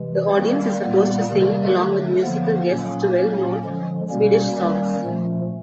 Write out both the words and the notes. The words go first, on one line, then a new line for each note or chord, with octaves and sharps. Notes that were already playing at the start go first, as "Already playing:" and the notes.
The audience is supposed to sing-along with musical guests to well-known Swedish songs.
Already playing: C3 E3 G#3
D#3 G3 A#3 C4
A#2 G3 A#3 B3
C3 D#3 G3 A#3
D3 F#3 A3
D3 F3 A#3 B3
A#2 F#3 A#3 C#4
A#2 F#3 A#3 C#4
D3 F3 G#3
B2 G3 A#3 C#4
D#3 G3 A#3
A#2 F3 A3